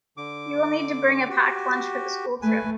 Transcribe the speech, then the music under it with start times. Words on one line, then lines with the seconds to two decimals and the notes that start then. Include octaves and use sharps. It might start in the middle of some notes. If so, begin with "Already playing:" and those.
You will need to bring a packed lunch for the school trip.
0.17 D3 D6
1.29 F#4 G4
2.42 A3 B4 G#5